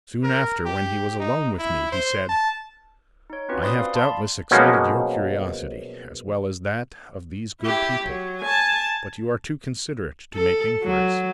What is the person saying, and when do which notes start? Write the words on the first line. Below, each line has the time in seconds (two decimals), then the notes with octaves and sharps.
Soon after, when he was alone with me, he said, "I have, doubtless, excited your curiosity, as well as that of these good people; but you are too considerate to make inquiries."
0.23 A#4
0.65 G4
1.20 D#4
1.58 E4
1.92 C5
2.29 A5
3.30 D#4 C#5
3.49 C4 C#4 F4 F#4 B4
3.61 C5 D5 B5 C6 D6 D#6
3.77 F5
3.93 D5 F5 A5 B5 C6
4.51 B2 F3 F#3 G#3 A#3 C#4
7.61 E4 G4
8.04 F#3
8.41 G#5 A5
10.34 A4
10.83 F#3